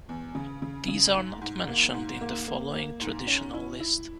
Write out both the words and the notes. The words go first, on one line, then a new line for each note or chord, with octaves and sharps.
These are not mentioned in the following traditional list.
E2
C#3
C#3
C#3
G#2
G#2
A#3
G#2
A#3
A#3
A#3
G#2
C#4
E4
E4